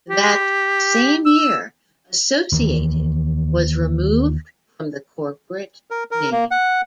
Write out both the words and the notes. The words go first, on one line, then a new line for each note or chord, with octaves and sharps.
That same year, "Associated" was removed from the corporate name.
G4
E6
D#2 E3
A#4
A#4
A#3
F#5